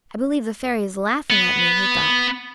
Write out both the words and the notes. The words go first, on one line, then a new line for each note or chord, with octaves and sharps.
"I believe the Fairy is laughing at me," he thought.
B3